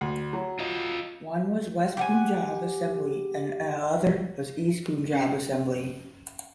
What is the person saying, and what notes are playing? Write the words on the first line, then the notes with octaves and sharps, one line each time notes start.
One was West Punjab Assembly and other was East Punjab Assembly.
D2
F#3
F4 D#5
G4 F#5 G#5
C#4